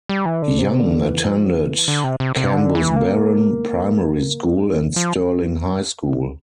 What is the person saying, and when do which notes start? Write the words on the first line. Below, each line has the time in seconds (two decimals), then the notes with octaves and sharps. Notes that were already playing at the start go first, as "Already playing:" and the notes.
Young attended Cambusbarron Primary School and Stirling High School.
0.09 G3
0.26 E3
0.42 D3
0.58 C3
0.79 D3
1.02 E3
1.24 F3
1.56 E3
1.88 D3
2.04 C3
2.20 C3
2.37 C3
2.53 D3
2.75 E3
2.96 A#3
4.47 A3
4.64 G3
4.96 F3